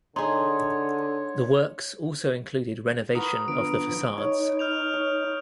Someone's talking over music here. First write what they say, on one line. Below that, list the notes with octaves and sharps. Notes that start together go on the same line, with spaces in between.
The works also included renovation of the facades.
D3 D#4 G#4 C#5 C6
F#4 A#4 B4 D#6
D3 F3 B3 D7
D#4 C#5
F6 G6 F7
C#5